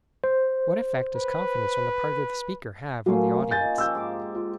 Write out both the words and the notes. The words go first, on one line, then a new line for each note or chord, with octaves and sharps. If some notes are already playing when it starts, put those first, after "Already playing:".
What effect does confidence on the part of the speaker have on the audience?
C5
B4
F#3 A3 A#3 C#4 C5
D#4 F4 G#5 G6 A6
F3 C#4 G4 E6 G6
G#2 G4 D6
F4